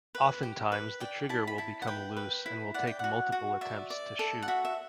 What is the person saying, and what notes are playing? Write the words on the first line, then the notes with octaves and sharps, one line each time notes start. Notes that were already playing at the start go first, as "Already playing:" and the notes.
Oftentimes the trigger will become loose and will take multiple attempts to shoot.
B4
G4
B4
D5 G5
E4 A5
B5
E4 A5
F#5
B4 G5
B4
E4
D5 F#5
G5
F#4 F#5
F#4
D5 E5
D5
A4
F#5
F#4 E5
E5